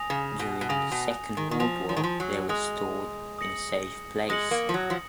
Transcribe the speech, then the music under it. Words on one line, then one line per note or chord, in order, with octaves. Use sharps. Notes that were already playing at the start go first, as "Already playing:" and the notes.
During the Second World War, they were stored in a safe place.
Already playing: G#5 D#6 A#6 F7
C#3
B2
B2
C#3 G#5 D#6 A#6 F7
B2
D#3
D#3
F3 G#5 D#6 A#6 F7
F3
D#3
F3
F#3
G#3 G#5 D#6 A#6 F7
D#6 A#6 C#7 F#7
G#3 D#6 A#6 C#7 F#7
A#3
F3
F#3
F3